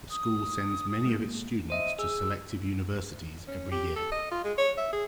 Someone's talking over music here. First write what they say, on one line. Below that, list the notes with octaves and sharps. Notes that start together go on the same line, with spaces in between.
The school sends many of its students to selective universities every year.
D#6
G#3 A#3
C5 D#5 E5 D#7
G#4 E6
C#4
G4
A4
D#5
F4
G#3
C#5
E5
G#4